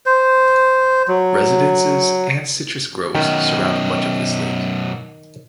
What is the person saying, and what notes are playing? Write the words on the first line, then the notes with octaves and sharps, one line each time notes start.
Residences and citrus groves surround much of this lake.
C5
F#3
F#2 B2 D#3